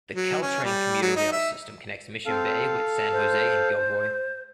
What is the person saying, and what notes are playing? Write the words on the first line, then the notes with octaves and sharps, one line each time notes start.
The Caltrain commuter rail system connects Mission Bay with San Jose and Gilroy.
F#3
C#4
G3
F#3
D#4
E5
C4 A4 F5
C5